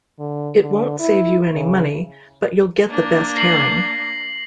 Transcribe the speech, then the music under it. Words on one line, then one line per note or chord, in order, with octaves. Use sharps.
It won't save you any money: but you'll get the best herring.
D3
D3
E4
C#3
A#3 D4
A#6 C7 F#7